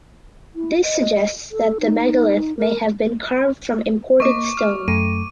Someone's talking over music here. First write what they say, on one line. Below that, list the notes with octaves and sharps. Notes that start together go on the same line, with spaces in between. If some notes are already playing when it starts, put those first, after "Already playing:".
This suggests that the megalith may have been carved from imported stone.
E4
D#5
A4
D#4
A#4
A#3 D#5 C#6 D6
F6
F#2 A3 D#7